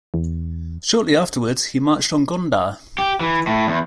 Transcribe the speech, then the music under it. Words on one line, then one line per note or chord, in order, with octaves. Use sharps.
Shortly afterwards he marched on Gondar.
E2
G4
E3
A2
E2